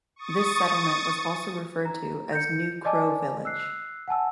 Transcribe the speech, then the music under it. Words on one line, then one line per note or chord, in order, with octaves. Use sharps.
This settlement was also referred to as New Crow Village.
C#6 D#6 A6
A#5
G6 C#7
D5 D#5 G#5 A5 D6
E6 F#6 C7
F#5 G#5 A5 E6